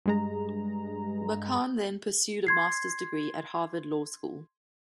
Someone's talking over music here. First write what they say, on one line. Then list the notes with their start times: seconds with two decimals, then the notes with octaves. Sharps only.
Bakan then pursued a master's degree at Harvard Law School.
0.06 G2 G#3 A#5
2.47 C6 G#6 C7